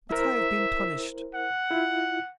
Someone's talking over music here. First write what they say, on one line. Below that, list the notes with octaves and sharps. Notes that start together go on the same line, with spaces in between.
"But I have been punished."
E4 A#4 C5 E5
F#5
E4 F4